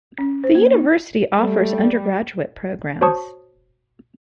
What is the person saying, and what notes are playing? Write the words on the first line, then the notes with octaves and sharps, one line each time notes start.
The university offers undergraduate programs.
C#4
C5
A#3
D#4
G3 A3
F#4 C5 C#5 A5 C#6 D#6